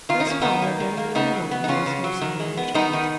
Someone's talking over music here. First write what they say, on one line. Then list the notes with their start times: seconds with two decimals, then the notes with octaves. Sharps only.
Close by a very young woman was nursing another child.
0.09 D#3 F4
0.20 D#4
0.27 A#3 C#4
0.42 D#3 B3 D#4
0.62 A#3
0.80 D#3
0.97 A#3
1.15 C#3 B3 D#4
1.33 F#3
1.51 B3
1.64 D#4
1.68 C#3 C#4 F4
1.86 C#3
2.04 F#3
2.21 D#3
2.40 G#3
2.57 B3
2.74 D#3 B3 D#4
2.93 D#3